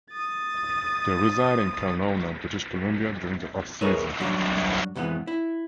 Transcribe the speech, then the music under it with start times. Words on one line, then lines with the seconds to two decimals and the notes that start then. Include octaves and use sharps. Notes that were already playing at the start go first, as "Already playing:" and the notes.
They reside in Kelowna, British Columbia, during the off-season.
0.12 D#6 A6
3.81 G#4 A#4 B4 C#5 D#5 E5
4.20 F#2 F#3 G3 D4 F#4
4.96 C2 F2 E3 G#3 B3
5.27 E4